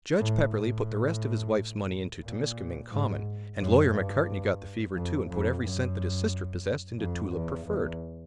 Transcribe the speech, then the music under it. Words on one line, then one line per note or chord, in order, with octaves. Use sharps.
Judge Pepperleigh put the rest of his wife's money into Temiskaming Common, and Lawyer Macartney got the fever, too, and put every cent that his sister possessed into Tulip Preferred.
A2
A2
A#2
G#2
F#2
G2
F2
F2
F#2
F2
E2
E2